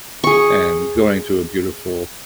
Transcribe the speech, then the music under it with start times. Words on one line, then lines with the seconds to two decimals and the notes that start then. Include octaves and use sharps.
and going to a beautiful,
0.24 G#4 C#6